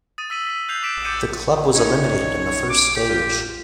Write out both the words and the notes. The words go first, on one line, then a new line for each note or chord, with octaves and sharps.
The club was eliminated in the first stage.
D#6 A6 D#7
E6 B6 D#7 F#7
B6 D#7
E6 F#6 G6 C7 F7
D6 G6 B6 D7 E7
D6 E6 G6 A6 C#7 D#7
C#4 D#4 C#5
D6
G4
F4